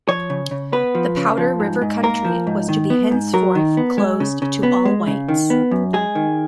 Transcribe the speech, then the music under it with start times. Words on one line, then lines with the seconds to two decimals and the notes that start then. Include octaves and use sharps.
The Powder River Country was to be henceforth closed to all whites.
0.08 F3 C#5
0.30 C#3
0.51 C#3
0.73 B3 B4
0.95 F3
1.17 C#3
1.38 F3
1.60 G#2
1.82 G#2
2.03 A#3 A#4
2.25 F3
2.47 G#2
2.69 D#3
2.90 B3
3.11 G#2
3.34 F#3 A#4
3.55 D#3
3.77 B3
3.98 G#3
4.20 C#3
4.42 C#3
4.63 B3
4.85 G#3
5.07 C#3
5.29 D#3
5.50 B3
5.71 F#2
5.93 G#3 G#4
6.15 D#3